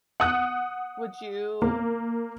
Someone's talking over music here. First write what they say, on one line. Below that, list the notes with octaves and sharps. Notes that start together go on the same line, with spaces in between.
Would you
F#5 D#6 F#6
A#3